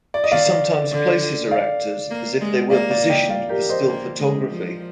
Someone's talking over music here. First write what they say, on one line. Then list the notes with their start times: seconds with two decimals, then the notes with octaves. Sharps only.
She sometimes places her actors as if they were positioned for still photography.
0.14 D5
0.24 D#5
0.32 D#3 D5 F5
0.91 D3
1.51 D5 F5
2.10 A#3
2.41 G#3
2.70 A#3 D5 F5
2.91 D5 F5
3.10 D#5 G5
3.29 D5 F5
3.49 G4 A#4
3.69 C5 D#5
3.89 A#3
4.20 G#3
4.49 F3